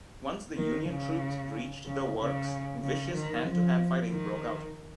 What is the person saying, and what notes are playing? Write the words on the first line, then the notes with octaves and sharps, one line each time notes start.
Once the Union troops reached the works, vicious hand-to-hand fighting broke out.
D#3
C#3
C#3
C#3
C#3
D#3
F3
D#3